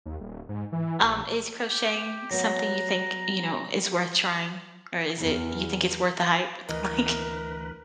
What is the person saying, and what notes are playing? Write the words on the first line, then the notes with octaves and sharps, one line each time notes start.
um, is crocheting something you think, you know, is worth trying, or is it you think it's worth the hype, like,
D#2
D#1
G#2
E3
A#1
G4
F#3 B3 A#5
E2
D2 E3 A#4 B4 D#5